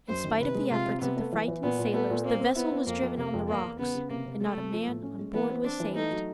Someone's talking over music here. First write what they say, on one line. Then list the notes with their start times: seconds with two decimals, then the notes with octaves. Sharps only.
In spite of the efforts of the frightened sailors the vessel was driven on the rocks, and not a man on board was saved.
0.08 F#2 C5
0.24 D#3
0.40 C3 B4
0.55 G#3
0.71 C3 F4
0.86 C3
1.01 C3 B3
1.17 A3
1.32 E3
1.48 E3
1.63 A#2 B3
1.79 A#2
1.93 A3 B3
2.10 A#2
2.25 A#3 C4
2.40 C4
2.56 B3 E4
2.71 C4
2.86 F2 A#3
3.02 F2
3.17 C3 A#3
3.34 F2
3.48 E2 A#3
3.64 E2
3.79 C#3 B3
3.95 C#3
4.10 C3 A#3
4.26 C3
4.41 G#3 A3
4.56 C3
4.72 F3
4.87 A2
5.03 C#4
5.18 G#3
5.34 E3 B3
5.50 C4
5.64 C4 D4
5.80 E3
5.95 A3 D#4
6.11 F#3